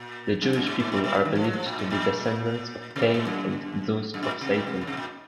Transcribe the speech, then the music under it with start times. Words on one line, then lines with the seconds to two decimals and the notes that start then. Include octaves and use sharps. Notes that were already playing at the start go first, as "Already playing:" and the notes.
The Jewish people are believed to be descendants of Cain and thus of Satan.
Already playing: A#2
0.42 F#2
0.55 F#2
0.67 G#2
0.80 G#2
0.92 A#2
1.04 A#2
1.17 C#3
1.25 D#3
1.35 F3
1.44 F#3
1.53 F3
1.66 A#2
1.79 G#2
1.90 A#2
2.96 C3
3.02 A#2
3.14 G#2
3.27 F#2
4.14 F#2
4.23 A#2
4.41 C3
4.54 A#2
4.67 C3
4.81 C#3
4.87 C3
4.97 A#2